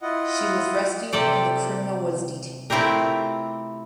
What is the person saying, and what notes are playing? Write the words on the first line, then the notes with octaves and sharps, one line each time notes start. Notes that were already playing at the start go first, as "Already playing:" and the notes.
She was rescued and the criminal was detained.
E4 F4 D#5 F#5
C3 G4 A4 D5
A3 C4 E4 F4 G4 A#4